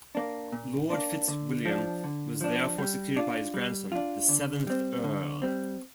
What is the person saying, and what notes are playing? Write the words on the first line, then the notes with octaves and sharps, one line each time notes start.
Lord Fitzwilliam was therefore succeeded by his grandson, the seventh Earl.
A#3 D4
A#2
A#3 D4
D3
F3 D4
D3
F3 D4
G3
D4 F4
G3
D4 F4
D3
G3 C4
D3
G3 C4